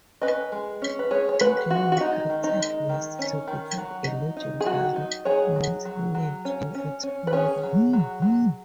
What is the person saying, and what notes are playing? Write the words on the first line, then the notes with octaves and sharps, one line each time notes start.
He then migrated west to become a legendary "mountain man" and explorer.
C#4 B4 D#5
G#3
C#4
B4
G#3 G#4 C#5
C#5
G#3 F#4 B4
G#3 F#4
F#4
G#3 D#4
D#3
D#4
G#3
D#3
C#4
D#3
F#3
D#4
D#4
G#4
F#3 F#4
D#4
F#3 G#4 C#5
F#3
F#3
F#3
C#4
C#4
C#4
B4
C#4 G#4 C#5
F#3
F#3
F#3